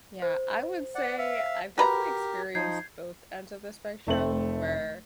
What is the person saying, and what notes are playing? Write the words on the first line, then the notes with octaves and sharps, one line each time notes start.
Yeah, I would say, I've definitely experienced both ends of the spectrum, where
C5
D5 F#5
E5 F5
F#4 G4 A#4 B4 A#5
F3 D#4 G6 G#6 C7
F1 A3 C4 F#7